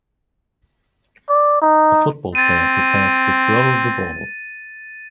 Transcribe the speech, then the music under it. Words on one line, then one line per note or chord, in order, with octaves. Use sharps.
A football player prepares to throw the ball.
D5
D#4
C4 A6 D#7